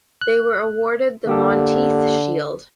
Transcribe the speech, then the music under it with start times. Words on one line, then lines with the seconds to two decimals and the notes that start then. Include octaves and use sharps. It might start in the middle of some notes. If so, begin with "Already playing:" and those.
They were awarded the Monteith Shield.
0.21 F#6
1.27 D3 A#3 G4 A4